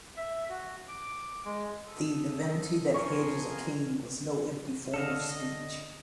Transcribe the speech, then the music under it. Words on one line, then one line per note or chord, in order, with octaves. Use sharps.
The divinity that hedges a king was no empty form of speech.
E5
F#4
D6
G#3
A4 D#6
F3 G#4 A#4 G#5 C6 C#6
D3 A4 D#5 F5
D#5